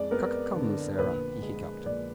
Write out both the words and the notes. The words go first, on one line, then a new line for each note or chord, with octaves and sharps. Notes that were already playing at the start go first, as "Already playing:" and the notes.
"Cuc-come, Sarah," he hiccuped.
Already playing: F2 G#3 D5
B3 A#4
D3
A#1 B4
G#3
A#1 D5